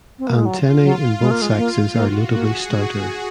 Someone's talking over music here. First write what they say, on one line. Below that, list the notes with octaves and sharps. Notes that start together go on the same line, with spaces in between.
Antennae in both sexes are notably stouter.
C4
A#3
G#3
F#3 F4
F#3
G#3
A#3
G#3
A#3
A#3 F#4
A#3 G#4
G#3 F#4